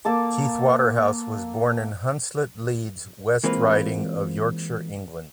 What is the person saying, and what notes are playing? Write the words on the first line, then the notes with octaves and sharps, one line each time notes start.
Keith Waterhouse was born in Hunslet, Leeds, West Riding of Yorkshire, England.
A#3 A4 A5 D6
E3 G#3 A#3 C4 F4 B4